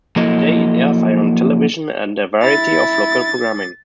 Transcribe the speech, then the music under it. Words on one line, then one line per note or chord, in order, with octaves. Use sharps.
Today it airs Ion Television and a variety of local programming.
F3 F#3 A#3 E4 A4 D#5
E4 A6